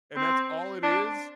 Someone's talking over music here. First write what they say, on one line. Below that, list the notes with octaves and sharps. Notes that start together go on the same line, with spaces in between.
and that's all it is.
C4
D4